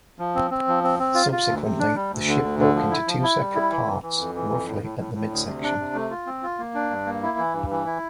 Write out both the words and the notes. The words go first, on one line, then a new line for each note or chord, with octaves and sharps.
Subsequently, the ship broke into two separate parts, roughly at the midsection.
F3
C4
C4
F3
C4
C4
F4
F4
D2
C3
D4
G3
D2
D3
D2
D3
F3
E4
F3
E4
G3
E4
E3
E3
E3
F2
E3
F2
A2
A2
A2
A2
D2
C3
D4
C3
A3
F4
C4
F4
A#3
D4
G2
A#3
E4
E3
G2
E3
E4